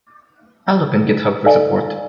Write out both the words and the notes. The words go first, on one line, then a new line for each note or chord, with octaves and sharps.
I'll look on Github for support.
D#4 A4 D5 D#5 F5 G#5